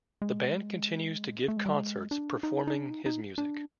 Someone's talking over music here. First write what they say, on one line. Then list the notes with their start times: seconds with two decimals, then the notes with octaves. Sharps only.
The band continues to give concerts performing his music.
0.22 G#3
1.48 A3
1.57 G#3
1.66 G3
1.74 G#3
2.11 D4
2.43 D#4
2.67 D#4
2.75 D4
2.91 D#4
3.06 D#4
3.38 D4